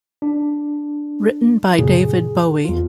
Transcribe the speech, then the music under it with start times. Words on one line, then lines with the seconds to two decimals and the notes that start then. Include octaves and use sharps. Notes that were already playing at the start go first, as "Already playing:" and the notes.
Written by David Bowie.
0.22 D4
1.78 F#2 A#2 C#3 G#4
2.65 E2 F4